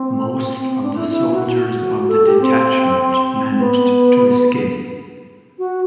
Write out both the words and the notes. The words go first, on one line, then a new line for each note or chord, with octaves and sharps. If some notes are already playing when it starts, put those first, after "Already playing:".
Most of the soldiers of the detachment managed to escape.
Already playing: C4
C4
C4
D4
E4
E4
F#4
F#4
A4
G4
C4
B3
F#4